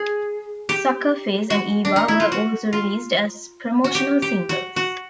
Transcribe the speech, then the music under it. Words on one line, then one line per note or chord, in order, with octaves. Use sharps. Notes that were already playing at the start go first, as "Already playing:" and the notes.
"Suckerface" and "Eva" were also released as promotional singles.
Already playing: G#4
G4
F#4
D4
D#4
E4
F4
F#4
F4
F#4
G4
G4
F#4
F#4